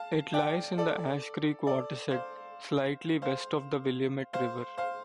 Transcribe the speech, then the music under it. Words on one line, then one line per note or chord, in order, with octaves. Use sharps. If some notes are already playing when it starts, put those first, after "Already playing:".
It lies in the Ash Creek watershed, slightly west of the Willamette River.
Already playing: F5 A5
D5 G5
A4 D5
A4 D5
C5 F5
C5 F5
C5 F5
C5 F5